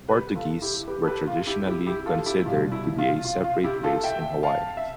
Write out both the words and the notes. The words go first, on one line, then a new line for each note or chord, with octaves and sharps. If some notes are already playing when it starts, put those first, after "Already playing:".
Portuguese were traditionally considered to be a separate race in Hawaii.
Already playing: C2 C3
G4 B4
F4 A4
E4 G4
G4 B4
A4
G4 B4
F4
E4 G4
E4 G4
E4 G4
F4 A4
E4 G4
C2 B2 G3 F4
E4
F4
F4
F4
E4 G4
F4 A4
E5 G5
F5 A5
E5